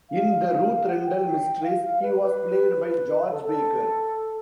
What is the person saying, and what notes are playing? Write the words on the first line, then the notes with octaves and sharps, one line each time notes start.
In "The Ruth Rendell Mysteries" he was played by George Baker.
F5
F#5
G5
F5
F5
B4
B4
A4
A4